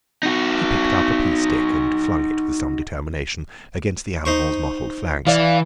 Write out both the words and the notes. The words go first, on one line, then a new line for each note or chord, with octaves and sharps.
He picked up a pea-stick and flung it with some determination against the animal’s mottled flanks.
D#4 F#4
D#4 C5 C#6
E3 D5 F5